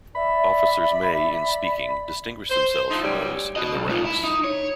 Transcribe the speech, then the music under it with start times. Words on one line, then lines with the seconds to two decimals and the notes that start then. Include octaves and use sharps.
Officers may, in speaking, distinguish themselves from those ""in the ranks"".
0.15 D5 E5 B5
2.50 C5
2.90 D3 F3 A3 D#4
3.03 D2 B2 F#3 G3
3.56 F#4 D#5
3.76 B1
3.89 A3 F4
4.04 E4
4.24 D#4
4.44 C#5